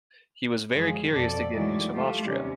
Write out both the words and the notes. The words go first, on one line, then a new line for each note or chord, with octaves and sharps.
He was very curious to get news from Austria.
F#2 F3 G#3 G#4
F2 B2 A4 D5
D#3 E3 F#3 G#3 A3 D5
A3 F4 G4
D#2 C3 G3 C#4